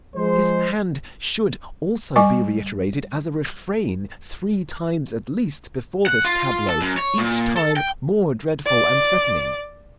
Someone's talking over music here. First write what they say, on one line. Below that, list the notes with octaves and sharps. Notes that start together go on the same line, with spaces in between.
This hand should also be reiterated as a refrain, three times at least, before this tableau, each time more dreadful and threatening.
F3 G#3 C5
G3 G#5 C#6
F#5
F4
A4
F#2
C#5
A#2
A4
G5
D5